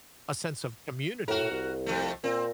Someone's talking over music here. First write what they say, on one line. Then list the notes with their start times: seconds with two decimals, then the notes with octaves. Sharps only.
a sense of community,
1.28 A2 F#4 A#4
1.50 C2
1.86 F2 A3
2.24 A#2 C4